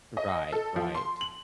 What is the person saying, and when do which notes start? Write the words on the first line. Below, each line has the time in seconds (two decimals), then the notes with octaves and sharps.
Right, right.
0.17 D#5
0.52 A4
0.76 F3
0.95 C6
1.21 F#7